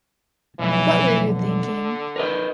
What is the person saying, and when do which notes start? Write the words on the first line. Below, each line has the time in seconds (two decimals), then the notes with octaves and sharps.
What were you thinking?
0.59 B1 F2 E3
1.26 D3
2.16 A#4 B4 D#5